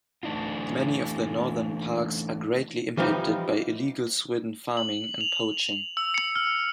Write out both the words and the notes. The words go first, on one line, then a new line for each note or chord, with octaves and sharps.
Many of the northern parks are greatly impacted by illegal swidden farming and poaching.
E3 A3 D4 D#4 F4
E3 F3 G3 C4 D#4
F#7
F7
E6
C#7
F6